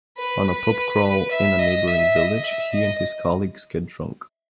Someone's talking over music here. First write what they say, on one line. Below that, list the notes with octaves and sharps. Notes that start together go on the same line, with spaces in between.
On a pub crawl in a neighbouring village, he and his colleagues get drunk.
B4
B4
E5
D#5
E5
D#5
E5
D#5